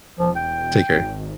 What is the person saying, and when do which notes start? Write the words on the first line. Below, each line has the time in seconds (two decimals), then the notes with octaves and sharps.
Take care.
0.19 E1 F3
0.36 G5
0.93 G#1